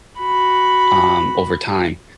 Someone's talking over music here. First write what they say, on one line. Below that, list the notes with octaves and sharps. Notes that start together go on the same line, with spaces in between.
um, over time,
F#4 B5